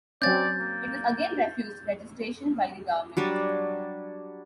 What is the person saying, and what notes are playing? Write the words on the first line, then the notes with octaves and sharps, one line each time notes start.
It was again refused registration by the government.
F#3 C4 C#4 D5 G6 A6
A#3
F#3 G3 D4